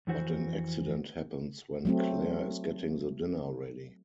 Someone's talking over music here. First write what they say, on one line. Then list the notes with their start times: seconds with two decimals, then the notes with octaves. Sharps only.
But an accident happens when Claire is getting the dinner ready.
0.07 F2 E3 F#4 C5
1.85 F#3 A3 C4